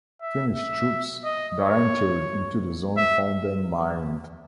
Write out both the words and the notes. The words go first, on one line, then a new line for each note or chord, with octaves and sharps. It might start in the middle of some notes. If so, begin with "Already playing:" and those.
Finnish troops that entered into the zone found them mined.
E5
E5
D#5
C#5
E5